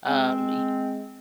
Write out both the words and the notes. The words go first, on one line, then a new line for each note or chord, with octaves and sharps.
um, y
G#3 C4